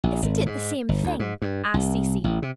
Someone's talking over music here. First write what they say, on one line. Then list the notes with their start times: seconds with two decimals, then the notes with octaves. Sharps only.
"Isn't it the same thing?" asked Cecy.
0.04 A#1
0.22 G#1
0.46 G#2
0.89 G1
1.04 D2
1.20 G#2
1.42 G2
1.74 C2
2.24 A1
2.42 C3